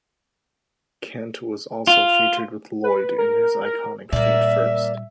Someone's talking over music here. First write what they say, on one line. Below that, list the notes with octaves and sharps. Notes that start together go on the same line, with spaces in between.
Kent was also featured with Lloyd in his iconic "Feet First".
F4
B4
A#4
A#4
A#2 G3 A#3 D5 E5